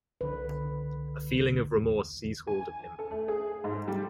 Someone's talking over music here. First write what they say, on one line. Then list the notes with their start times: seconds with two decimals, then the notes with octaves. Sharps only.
A feeling of remorse seized hold of him.
0.21 C2 D3 B4
2.47 G#5
2.99 A4
3.11 A3
3.28 G#4
3.64 G#2
3.88 G3